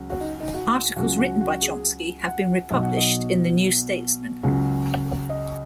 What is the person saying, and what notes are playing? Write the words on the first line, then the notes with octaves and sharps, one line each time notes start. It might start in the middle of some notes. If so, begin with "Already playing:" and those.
Articles written by Chomsky have been republished in the "New Statesman".
Already playing: C#2 C#3 F#3
F#4
D#4
D#4
F#4
C#2 C#3 F#3 F#4
F#4
F#4
G#4
F#5
B1 B2 F#3 D#5
F#5
D#5
C#2 C#3 F#3
D#5